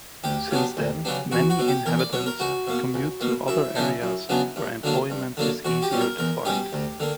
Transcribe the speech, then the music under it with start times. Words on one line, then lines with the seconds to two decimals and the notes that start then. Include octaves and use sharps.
Since then, many inhabitants commute to other areas where employment is easier to find.
0.24 D2 G4
0.51 C#3 F#3 B3 D4
0.77 D2
1.05 C#3 F#3 B3 D4
1.31 E2 F#4
1.50 F#4
1.59 B2 F#3
1.68 G4
1.86 E2 A#4
1.99 D5
2.13 B2 F#3 C#5
2.26 A#4
2.40 C#2 F#4
2.67 B2 A#3
2.94 C#2
3.21 B2 A#3
3.48 F#2 E4
3.75 C#3 F#3 B3 D4
4.02 F#2
4.29 C#3 F#3 B3 D4
4.56 G2
4.83 D3 F#3 A#3 D4
5.10 G2
5.37 D3 F#3 A#3 D4
5.65 E2 F#4
5.82 G4
5.91 B2 G3 C#4
6.01 A#4
6.18 E2 A#4
6.45 B2 G3 C#4 G4
6.73 D2
7.00 D3 A#3